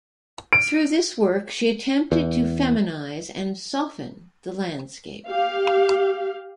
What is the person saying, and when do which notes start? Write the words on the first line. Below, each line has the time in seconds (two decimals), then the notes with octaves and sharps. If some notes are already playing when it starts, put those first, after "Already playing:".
Through this work she attempted to "feminize" and "soften" the landscape.
0.53 D7
2.12 E2
5.28 G4 F5